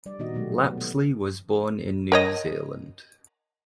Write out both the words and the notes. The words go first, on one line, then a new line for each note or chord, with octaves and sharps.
Lapsley was born in New Zealand.
G3 D5
A#2 D#3 B3 D#4 F#4 D#5
B2 F#3 G#3 A3 D#4 G4
F#3
A3 B3
B3
A#4 C#5 D#5